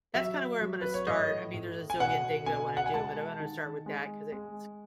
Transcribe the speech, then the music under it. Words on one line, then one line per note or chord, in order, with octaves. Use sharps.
that's kinda where I'm gonna start, I mean, there's a zillion things I wanna do, but I'm gonna start with that 'cause it s
F#3 E5
F#3
B4
C#5
A2 D#5
A2
G#5
B2 F#5
B2 G#5
F#5
G#5
G#3 A5
D#3
G#3
G#3